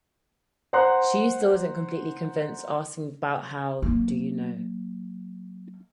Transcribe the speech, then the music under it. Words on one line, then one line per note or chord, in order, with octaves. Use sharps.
She still isn't completely convinced, asking, But how do you know?
C5 F#5 A#5 C6 F#6
F#3 A#3